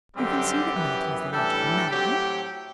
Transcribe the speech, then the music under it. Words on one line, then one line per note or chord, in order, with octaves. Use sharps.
"You can see that Manton's the logical man?"
F#2 D3 G3 C4 G4
F#2 E3 B3
A2 E3 G3 D4 A4
A2 F#3 C4 G4